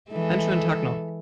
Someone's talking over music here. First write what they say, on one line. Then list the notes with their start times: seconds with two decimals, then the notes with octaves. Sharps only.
Einen schönen Tag noch!
0.11 E3 G#3 A4